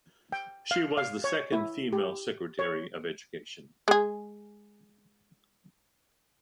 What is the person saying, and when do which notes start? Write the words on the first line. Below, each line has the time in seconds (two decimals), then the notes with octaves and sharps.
She was the second female Secretary of Education.
0.32 G5
0.71 F5
0.97 F5
1.24 C#5
1.52 E4
1.93 G4
2.59 C#5
3.88 G#3 G#4